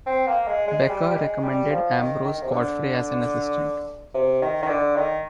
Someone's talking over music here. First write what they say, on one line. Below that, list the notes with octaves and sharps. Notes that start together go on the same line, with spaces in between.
Becher recommended Ambrose Godfrey as an assistant.
C4
A#3
G#3
G#3
G3
G3
G#3
G3
F3
D#3
D#3
C3
D3
C3
D#3
D#3
D3
D#3